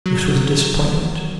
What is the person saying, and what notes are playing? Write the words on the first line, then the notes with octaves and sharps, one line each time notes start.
This was a disappointment.
F#3